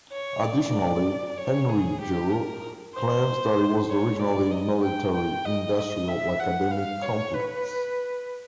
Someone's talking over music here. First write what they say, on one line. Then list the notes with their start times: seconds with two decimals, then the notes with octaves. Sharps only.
Additionally, Henry Giroux claims that it was originally "military-industrial-academic complex".
0.12 C#5
0.43 D5
1.38 C#5
1.69 G#4
2.00 G4
2.32 A#4
2.95 C5
3.88 C#5
4.20 D5
4.51 D#5
4.83 G5
5.14 G5
5.45 D#5
5.77 D#5
6.08 E5
6.40 F#5
6.71 F5
7.02 C#5
7.34 B4